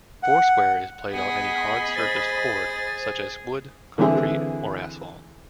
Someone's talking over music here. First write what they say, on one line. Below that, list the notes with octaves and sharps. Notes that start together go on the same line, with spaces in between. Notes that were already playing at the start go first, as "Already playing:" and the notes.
Four square is played on any hard-surfaced court, such as wood, concrete or asphalt.
F#5
B3 G#4 D#5 F#5 B5
C5 A6
D3 E3 C4 E4 G#4